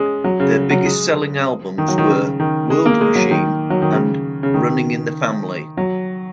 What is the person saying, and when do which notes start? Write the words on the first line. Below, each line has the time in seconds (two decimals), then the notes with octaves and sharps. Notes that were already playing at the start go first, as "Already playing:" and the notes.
Their biggest selling albums were "World Machine" and "Running in the Family".
Already playing: G#3 C#4
0.24 F#3
0.40 C#3
0.71 F#3
0.85 G#3
1.78 D#3
1.88 F#3
1.98 D#3
2.08 C#3
2.40 D#3
2.70 G#3
2.86 A#3
3.01 G#3
3.16 F#3
3.31 D#3
3.70 F#3
3.82 D#3
3.92 C#3
4.43 C#3
4.54 D#3
5.77 F#3